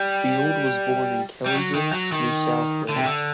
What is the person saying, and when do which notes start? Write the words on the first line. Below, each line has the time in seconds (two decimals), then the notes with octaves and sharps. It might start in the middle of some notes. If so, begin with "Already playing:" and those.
Field was born in Kellyville, New South Wales.
Already playing: G3
1.46 G3
1.54 F#3
1.74 D#3
1.93 F#3
2.12 D#3
2.89 D3
2.96 C3
3.05 D3